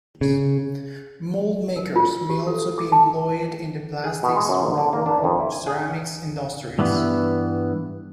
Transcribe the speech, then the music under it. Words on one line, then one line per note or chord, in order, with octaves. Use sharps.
Moldmakers may also be employed in the plastics, rubber or ceramics industries.
C#3
A#4
F4
G4
A4
D6
A5
G#4
B2
G#3
F#2
A#1
D3
A#3
D4
F2
E4
G#5
G#4
G2 E3 B3